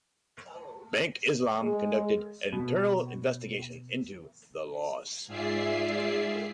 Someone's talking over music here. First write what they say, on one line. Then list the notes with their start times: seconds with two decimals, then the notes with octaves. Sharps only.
Bank Islam conducted an internal investigation into the loss.
1.62 G#3
2.53 B2
5.27 G#2 F4 G#4 D5 E5 C7